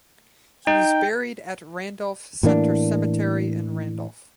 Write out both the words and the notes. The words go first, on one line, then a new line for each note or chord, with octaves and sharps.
He was buried at Randolph Center Cemetery in Randolph.
D#4 G5
A2 E3 A#3 D4